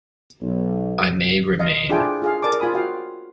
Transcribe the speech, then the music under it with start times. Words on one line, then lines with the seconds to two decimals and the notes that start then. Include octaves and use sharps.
I may remain.
0.42 B1
1.59 D#5 F5
1.90 D4 E4 F4 G#4 G5 G#5
2.22 F4 G#4 F5
2.42 A#4 D5 A5 D6
2.60 F4 G#5 B5 D#6
2.74 F4 F#4 F5 G5